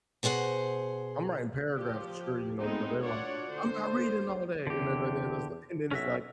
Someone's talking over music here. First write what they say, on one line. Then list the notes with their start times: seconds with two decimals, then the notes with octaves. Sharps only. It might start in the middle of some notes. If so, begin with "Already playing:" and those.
I'm writing paragraphs sure, you know, but they're like, "I'm not reading all that," and then then it's, like and then it's like
0.23 B2 G#4 C5 C#5 F#5
1.77 F3 G4
2.61 G#3 A3 B3 C4 D#4
3.04 D4 F4 F#4 C#5 D5 F#5
3.51 D3 C5
4.67 E2 D3 G4
5.91 B1 C#4 F#4 E5